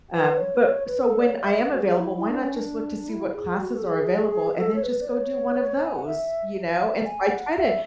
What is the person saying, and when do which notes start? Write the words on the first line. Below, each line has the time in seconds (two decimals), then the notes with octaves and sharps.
Um, but so, when I am available, why not just look to see what classes are available and then just go do one of those? You know? And so, I try to
0.13 B4
0.38 C#5
0.56 B4
0.63 C#5
0.87 B4
1.05 A4
1.19 D5
1.24 C#5
1.43 E5
1.62 F#5
1.73 F#4
1.80 G#4
1.98 E4
2.17 E4
2.29 D4
2.43 C#4
2.55 D4
3.09 E4
3.34 G#4
3.59 F#4
3.77 A4
3.83 G#4
4.58 A4
4.76 C#5
4.83 B4
5.01 D5
5.08 C#5
5.85 G#5
5.96 F#5
6.06 E5
6.81 E5
7.05 G#5
7.29 F#5
7.54 E5